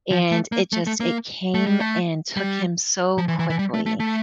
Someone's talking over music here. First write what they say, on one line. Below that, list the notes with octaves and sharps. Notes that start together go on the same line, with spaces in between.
and it just it came and took him so quickly
F3
A3
A#3
A3
A3
A#3
A3
G3
A3
G3
F3
E3
E3
E3
G3
A3
A3
A3